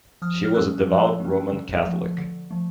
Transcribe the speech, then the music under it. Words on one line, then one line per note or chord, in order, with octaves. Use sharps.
She was a devout Roman Catholic.
F3 D#6 F6
F6
A3 C#4 E6 F#6
F3
A3 C#4
D3
F3 A3
D3
F3 A3